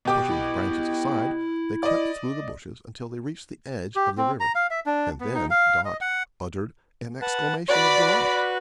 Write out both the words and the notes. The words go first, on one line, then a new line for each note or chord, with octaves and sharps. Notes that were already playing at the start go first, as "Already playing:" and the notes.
Pushing the branches aside, they crept through the bushes until they reached the edge of the river, and then Dot uttered an exclamation of delight.
B2 G4 D6
E4
D5 D#5
G4
C4
A#5
F5
E5
D4
B3
D#4
F5
D#5
F#5
B4 F#5 A5
F#4 B4 D5 B5